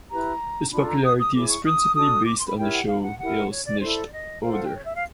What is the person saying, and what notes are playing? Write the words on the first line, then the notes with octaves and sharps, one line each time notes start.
His popularity is principally based on the shows Alles nichts oder?!
E4 G4 B4 A#5
D4 F4 A4 B5
A#5
D#6
D#6
E4 G#4 C#5 D6
C#6
D#6
D4 F#4 A4 D#6
D6
C6
B5
E4 G4 A#4 C#5 G5
F#5
F5
F#5
E4 G4 A#4 F#5
C#5
D5
E4 A4 C5 D5
D#5
F4 A4 C5 F5
F#5
G5
C#5
E5
F5